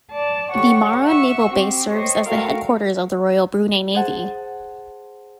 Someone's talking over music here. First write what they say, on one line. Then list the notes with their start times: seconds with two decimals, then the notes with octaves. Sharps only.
The Muara Naval Base serves as the headquarters of the Royal Brunei Navy.
0.12 D5 A5
0.52 G4 A4 C#5 F#5 C#6
1.05 E5 F#5 C#6 E6
1.46 C4 G4
1.92 C5 C#5 D#5 G5
2.26 A3 F#4 A4 A#4 F5 G5
3.95 G#4 C5 F#5 A5